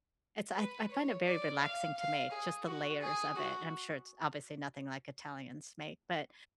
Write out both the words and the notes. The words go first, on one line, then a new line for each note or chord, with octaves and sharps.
it's I I find it very relaxing to make, just the layers of it, and I'm sure it's obviously nothing like Italians make, but
B4
C#5
D5
F5
F5
G#4
F#4
G#4
F#4